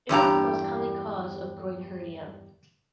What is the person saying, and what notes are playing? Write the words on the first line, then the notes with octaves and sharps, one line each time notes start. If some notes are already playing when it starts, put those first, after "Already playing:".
It is the most common cause of groin hernia.
E2 G2 G4 A#5